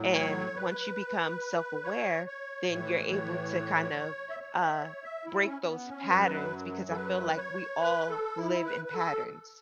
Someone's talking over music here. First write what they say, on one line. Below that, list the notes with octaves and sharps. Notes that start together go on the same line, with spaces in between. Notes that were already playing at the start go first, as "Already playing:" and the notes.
and once you become self-aware, then you're able to kind of, uh, break those patterns because I feel like we all live in patterns,
Already playing: A2 F#3
C#5
B4
C#5
C#5
A2 E3 C#5
C#5
E5
C#5
E5
C#5
E5
E4
C#4
C#4
B3
C#4
F#2 F#3 B4
A4
B4
C#5
B4
A4
E4
B4
B4
A4